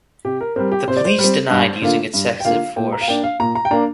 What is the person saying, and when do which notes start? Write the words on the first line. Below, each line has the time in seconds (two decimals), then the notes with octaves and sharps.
The police denied using excessive force.
0.25 C3 G4
0.41 A#4
0.56 G3 C4 A#4
0.72 G4
0.88 C3 C5
0.97 D5
1.05 C5
1.19 G3
1.24 C4
1.50 G2
1.82 D3 A#3 F4
2.14 G2
2.40 G5
2.45 D3 A#3 F4 F5
2.76 A#2 G5
2.93 A#5
3.01 F5
3.08 A#3 D4 G5
3.23 F5
3.40 A#2 A#5
3.55 A#5
3.65 G5
3.71 A#3 D4 A#5